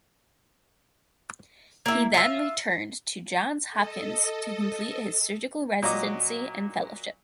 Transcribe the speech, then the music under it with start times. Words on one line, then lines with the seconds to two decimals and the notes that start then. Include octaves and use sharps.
He then returned to Johns Hopkins to complete his surgical residency and fellowship.
1.86 A#3 E4
2.14 F4 E5
3.71 A4 D#5
5.83 A#2 F#3 D#5 D6